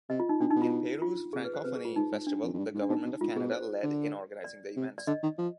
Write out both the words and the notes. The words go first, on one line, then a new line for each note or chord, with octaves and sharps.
In Peru's Francophonie festival, the Government of Canada led in organizing the events.
C3 D#5
F4
D#4
B2 D4
D#4
B2
F4
F4
C3 G#4
B4
C5
C3 B4
G#4
F4
G#2 D#4
G#2
D4
F2
F2
G2
G#2
D4
B2 D#4
B2
G#2 F4
B2 G#4
C5
D3
D5
C3
D5
D3 D#5
D#3
F3